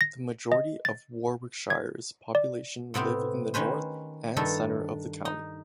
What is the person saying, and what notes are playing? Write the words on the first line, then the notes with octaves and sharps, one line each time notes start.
The majority of Warwickshire's population live in the north and centre of the county.
A#6
D#5
A6
G#6
D5
A2 C3 B3 C4
D#3 C#4 B4 C5
G2 D#3 D4 E4 A4
D#4